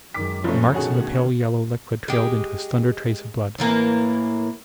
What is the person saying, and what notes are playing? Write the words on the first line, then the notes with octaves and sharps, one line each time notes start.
The marks of the pale yellow liquid trailed into a slender trace of blood.
F#2 D#3 G#3 D6 B6
F1 F3 A3 C#4
B2 D3 D#3 C#4 F#4 G#4
G#3 G4
A2 E3 A#3